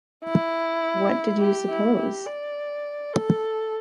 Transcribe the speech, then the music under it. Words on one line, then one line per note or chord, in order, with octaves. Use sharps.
What did you suppose?
E4
G4
E4
G4
D5
A4